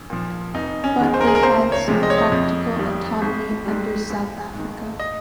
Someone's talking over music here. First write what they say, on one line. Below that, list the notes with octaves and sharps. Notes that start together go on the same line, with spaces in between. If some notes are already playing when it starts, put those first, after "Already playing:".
But they had some practical autonomy under South Africa.
Already playing: A#1
A#2 F3
F1 D#4
C#4
D#2 D#3 G#3
C5
A#4
G#4
A#4
C#2 C5
C#5
C3 F3 G#3
D#5
C#5
D#5
F2
D#3 G3
G#1
G#2 G3
A#1
G#2 D#3
D#5